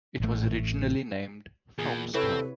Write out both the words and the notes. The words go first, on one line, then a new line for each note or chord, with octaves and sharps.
It was originally named Phelpstown.
A1 A3
E2 A#2 G#4
C3 C4 E4 A4 B4 C#5